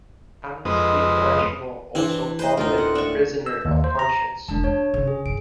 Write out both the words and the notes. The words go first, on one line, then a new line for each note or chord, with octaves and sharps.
Amnesty International also called him a prisoner of conscience.
F2 G#3 C4 B4 D#5 D#6
E3 C4 D4
B4 C5 D#5
D2 A2 D#4 F4 A#4
F#5
D4 C#6
E6
D#2
C5
A#5
E1 G#3 D4 A5
C4 C#5
C#3
G#4
G2 D7